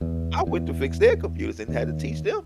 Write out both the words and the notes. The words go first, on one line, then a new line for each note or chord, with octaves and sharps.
I went to fix their computers and had to teach them
E2
E2
D#2